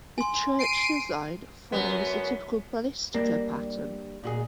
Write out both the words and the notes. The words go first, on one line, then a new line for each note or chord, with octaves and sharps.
The church design follows a typical basilica pattern.
G#5 C6
C7 D7 D#7
F#2 B3
G3 A#3 D4
A#2 F#4 G#4